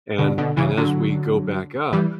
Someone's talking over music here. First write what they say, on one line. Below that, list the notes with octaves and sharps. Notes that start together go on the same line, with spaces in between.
and and as we go back up,
B2 D3
B2 D3
C#3 E3
D3 F#3
E3 G3